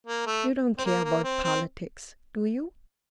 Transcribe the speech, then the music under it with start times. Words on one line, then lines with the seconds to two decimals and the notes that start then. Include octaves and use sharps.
"You don't care about politics, do you?"
0.07 A#3
0.27 A3
0.78 C4
0.85 A#3
1.04 A#3
1.24 C4
1.44 C4